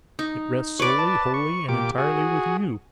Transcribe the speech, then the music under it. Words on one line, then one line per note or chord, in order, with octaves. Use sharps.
It rests solely, wholly, and entirely with you.'
D#4
B4 C#5 D5
A5
C#6
A#2 G4 D6
F#4 G#4